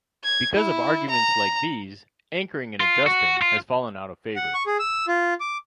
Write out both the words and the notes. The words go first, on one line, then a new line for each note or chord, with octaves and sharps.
Because of arguments like these, anchoring-and-adjusting has fallen out of favor.
G#6
E4
A#5
F4
F#4
F4
F#5
C#6
G#4
E6
F4
D6